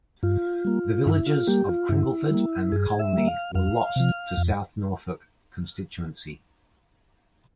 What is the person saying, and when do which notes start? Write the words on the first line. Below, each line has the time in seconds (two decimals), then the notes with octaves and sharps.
The villages of Cringleford and Colney were lost to South Norfolk constituency.
0.23 G2 F4
0.65 G3 A#3
1.06 G2 E4
1.27 F4
1.47 G3 A#3 G4
1.69 F4
1.89 G2 E4
2.30 G3 A#3
2.72 G2 G#4
2.99 E5
3.13 G3 A#3
3.27 F5
3.55 F2 F5
3.96 C3 F3
4.37 F2